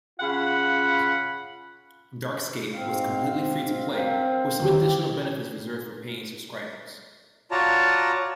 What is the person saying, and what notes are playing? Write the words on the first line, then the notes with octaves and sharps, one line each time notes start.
"DarkScape" was completely free to play, with some additional benefits reserved for paying subscribers.
C#3 F4 F5 F#5 B5
G#2 C4 F5
C4 A#4 C5 F5
D3 D#3 G4
F4 F#4 C#5 D5 A5 A#5